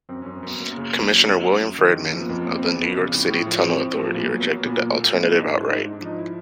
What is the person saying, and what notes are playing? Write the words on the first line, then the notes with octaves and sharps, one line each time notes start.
Commissioner William Friedman of the New York City Tunnel Authority rejected the alternative outright.
F#2 C4
C#4
F#2
C4
F#2 B3
F#3 A#3
C#3
C#3
F#3
F#2
F#2
F#2
D#3
F#2
F3 A#3
B3
F2 A#3
F3
C4
F2 B3
F2
C#3
A2
A2
F3
A2 C4
A2
F3 A3
A#3
A#2 B3
A3
F#3
B3
F#3 A#3
A#2 B3
A#2 A#3
A3
A#2 A#3
G#2 B3
E4
G#2 D4
D#4
G#2 E4
D4
G#2 D#4
G#2
D4
F3 D#4
E4